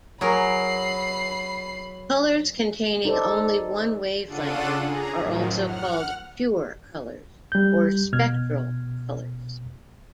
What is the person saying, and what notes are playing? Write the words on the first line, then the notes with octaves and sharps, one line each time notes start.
Colors containing only one wavelength are also called pure colors or spectral colors.
F#3 G#4 A#4 B5 C7
D#4 A4 C5 D5
C#3 D4 F4 A4 F#5 D#7
G#4 A#5
F#2 A2 D#3 F3 F#3
F#5 F6
G3 G6
B2 F6 G#6